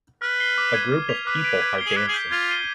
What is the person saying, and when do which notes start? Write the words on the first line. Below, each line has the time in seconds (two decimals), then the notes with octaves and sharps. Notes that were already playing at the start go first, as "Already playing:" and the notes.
A group of people are dancing.
0.22 B4 F6
0.40 C7 G7
0.58 D6
0.74 G#6 C7 D#7 G7
0.91 F6
1.09 G#6 B6 F7
1.26 B4 D6
1.44 G#6 D7
1.62 G#6
1.78 C7 G7
1.86 G#4
1.96 B4 D6
2.08 G#4
2.14 G6 B6
2.31 F4 G#6
2.49 C7 D#7 G7